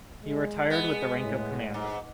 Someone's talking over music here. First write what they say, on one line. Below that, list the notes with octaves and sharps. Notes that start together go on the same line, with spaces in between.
He retired with the rank of Commander.
G#3
B3
A2
G#2